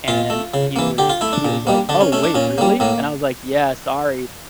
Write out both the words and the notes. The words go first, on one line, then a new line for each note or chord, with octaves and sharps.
And he was he was like, “Oh, wait really?” And I was like, “Yeah sorry,
A#2 F4
A3
C#3
E3 A#3
D3 G4
F4
A3 E4
D4
A#2
G3 A#3
D3 D4
C#4
A3 C#4
D4
A#2 C#4
G3 A#3
A2 A#3